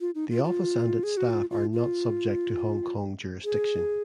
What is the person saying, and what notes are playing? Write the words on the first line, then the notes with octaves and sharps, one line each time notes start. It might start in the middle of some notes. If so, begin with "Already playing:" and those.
The office and its staff are not subject to Hong Kong jurisdiction.
F4
D#4
F4
F4
G#4
F#4
F4
F4
F4
G#4